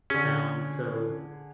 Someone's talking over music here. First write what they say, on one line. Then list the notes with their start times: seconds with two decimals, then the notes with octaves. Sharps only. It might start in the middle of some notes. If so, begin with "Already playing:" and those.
town, so,
0.10 D3 C#4 G#4